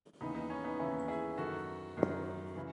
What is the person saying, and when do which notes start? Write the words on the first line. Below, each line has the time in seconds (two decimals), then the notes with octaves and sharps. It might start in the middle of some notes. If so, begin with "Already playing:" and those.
The Red Lodge cemetery contains a memorial.
0.21 D#2 C#3 E3 B3 D#4
0.35 B3 D#4
0.50 C#4
0.64 B3 D#4
0.79 D#2 C#3 E3 C#4 E4
1.08 E4 G#4
1.38 F#2 D#3 F#4 A4
1.97 F#2 D#3
2.55 C#3 E3